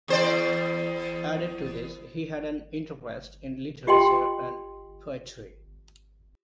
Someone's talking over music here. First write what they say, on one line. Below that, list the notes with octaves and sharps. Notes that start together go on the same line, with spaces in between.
Added to this, he had an interest in literature and poetry.
E2 C5 D5
F4 G4 D#5 F#5 G5 C6